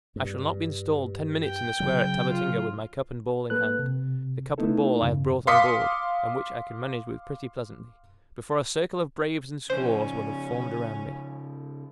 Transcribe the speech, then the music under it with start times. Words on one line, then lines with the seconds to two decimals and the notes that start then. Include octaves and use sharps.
I shall not be installed ten minutes in the square at Tabatinga, with my cup and ball in hand--the cup and ball I have brought on board, and which I can manage with pretty pleasantly--before a circle of braves and squaws will have formed around me.
0.16 G2
1.44 G5
1.80 C#3 F#3
2.31 F4
3.50 A#3 A4 B4 F#6
3.79 C3
4.58 A3 B3 D#4 E4 A4
5.01 E2 G2 C#3
5.47 F5 C6 D6 D#6 B6 C#7
9.70 C#3 F3 C#4 C5